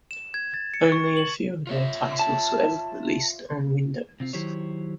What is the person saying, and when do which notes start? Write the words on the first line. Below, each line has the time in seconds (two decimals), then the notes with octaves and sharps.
Only a few of their titles were ever released on Windows.
0.11 E7
0.34 G#6
0.54 A6
0.74 C#7
0.92 C#6
1.17 F#7
1.67 F4 C#5 E5
2.19 A5
4.20 C3 C4 F4
4.33 D#3 F#3 E4 G4 C5 C#5